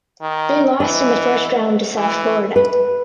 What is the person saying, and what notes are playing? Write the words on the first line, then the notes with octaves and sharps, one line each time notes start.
They lost in the first round to South Florida.
D#3
E3 D#5
E3
B4